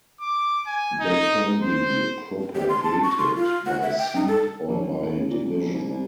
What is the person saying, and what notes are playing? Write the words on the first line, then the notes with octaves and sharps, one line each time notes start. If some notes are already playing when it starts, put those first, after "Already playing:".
They can be propagated by seed or by division.
D6
G#5
D#4
C5
G4
C6
A5
C#6
C6
F4
F#5
E5
G5
D#4
A4
A#1
F#1
A2
C#3
A#2
D#1
A#1
C2
C2